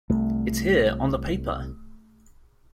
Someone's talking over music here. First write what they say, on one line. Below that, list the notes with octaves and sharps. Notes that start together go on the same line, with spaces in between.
It's here — on the paper!
C2 A3